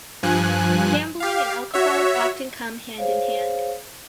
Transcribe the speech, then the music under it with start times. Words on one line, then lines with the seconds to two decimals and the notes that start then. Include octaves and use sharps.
Gambling and alcohol often come hand in hand.
0.23 G2 F3 G#5 F#6
1.20 G4 F5
1.74 F#4 C#5 E5
2.98 G#4 C5 C#5 F5